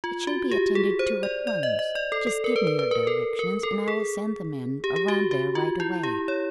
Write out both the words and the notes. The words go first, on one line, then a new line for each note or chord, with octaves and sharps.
"It shall be attended to at once. Just give me your directions and I will send the men around there right away."
F4
F#4
G4
G#4
C5
D5
D5
D#5
D#5
D5
A4
A4
A#4
B4
B4
B4
A#4
A4
A#4
A4
G#4
G4
G4
F#4
F#4
F4
E4
G4
C#5